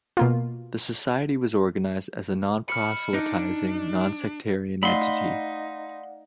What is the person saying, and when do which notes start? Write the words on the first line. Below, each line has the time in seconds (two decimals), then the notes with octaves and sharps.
The Society was organized as a non-proselytizing, non-sectarian entity.
0.17 B2 A#3 F4
2.69 D#5 B5 F6 C#7
3.14 D4 D#4
4.83 A3 D#4 D5 F5 F#5 B5 C6